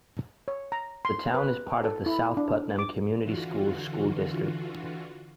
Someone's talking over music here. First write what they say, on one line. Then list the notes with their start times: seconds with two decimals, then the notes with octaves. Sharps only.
The town is part of the South Putnam Community Schools school district.
0.48 C#5
0.72 A#5
1.05 C6
1.34 B4
1.84 A4
2.06 E4
2.37 D4
2.79 D6
3.22 D3 E3 F4 F#4